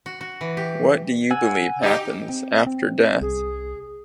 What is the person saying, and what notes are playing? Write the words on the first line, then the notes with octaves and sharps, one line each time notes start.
What do you believe happens after death?
F#4
F#4
E3
G4
F#5 G#5 E6
D#4 G4
C4
C4
C2 G#4